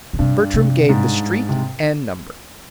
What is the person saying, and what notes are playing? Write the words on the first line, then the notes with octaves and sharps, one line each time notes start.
Bertram gave the street and number.
C#3
G2 C3
C3
G#2
C3